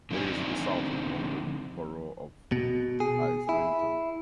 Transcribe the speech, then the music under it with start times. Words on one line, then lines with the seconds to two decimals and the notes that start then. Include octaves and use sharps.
It is in the south of the London Borough of Islington.
0.11 D3 F3 C4 D#4 D5 G#5
2.52 B2
3.00 G#4
3.49 E4